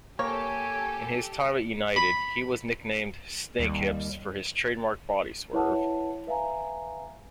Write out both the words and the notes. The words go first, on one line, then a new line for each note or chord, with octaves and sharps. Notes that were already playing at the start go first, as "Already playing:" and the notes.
In his time at United, he was nicknamed "Snakehips" for his trademark body swerve.
A#3 G4 A4 C#5 G#5
B5
D#2 G3
E4 B4 C#5 E5 F#5 A5
B4 E5 F5 G#5 A#5